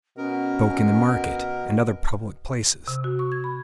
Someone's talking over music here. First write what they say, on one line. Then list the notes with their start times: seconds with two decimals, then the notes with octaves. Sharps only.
He spoke in the market and other public places.
0.17 B2 C#4 A#4
2.88 C3
3.04 F#4
3.19 C#6
3.32 G#6
3.44 B5